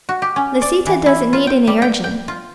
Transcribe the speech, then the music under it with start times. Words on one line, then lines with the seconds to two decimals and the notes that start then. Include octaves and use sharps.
Lisita doesn't need any urging.
0.09 F#4
0.22 G4
0.36 C#4
0.62 D5
0.86 E3
1.06 E4
1.33 F4
1.47 G5
1.67 G3
1.82 G5
2.04 G5
2.28 F4